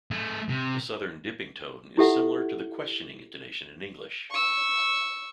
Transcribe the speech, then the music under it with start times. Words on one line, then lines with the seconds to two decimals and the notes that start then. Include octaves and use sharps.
The Southern "dipping" tone is similar to the questioning intonation in English.
0.11 A3 G#4
0.49 C3
1.97 E4 F4 G4 A4 E5 F#5
4.31 C#6 E6